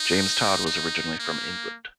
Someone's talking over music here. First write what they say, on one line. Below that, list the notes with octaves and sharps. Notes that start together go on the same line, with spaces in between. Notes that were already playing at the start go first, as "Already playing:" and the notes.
James Todd was originally from England.
Already playing: D#4
D#4
A#3